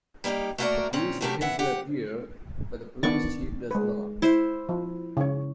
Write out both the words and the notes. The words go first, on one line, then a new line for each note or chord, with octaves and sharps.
The police occasionally appear, but the police chief does not.
G3 A#3 D#4 F#4 G4
A3 A#3 F#4 G#4 A#4 D5
A#2 C4 C#4
C3 F#3 A3 C#4 G4 A#4
E3 E5 F#5
G4 F#5
D#3 B3 D4 D5 C#6
G#3 B4
E4 C5
F3
C#3 C#5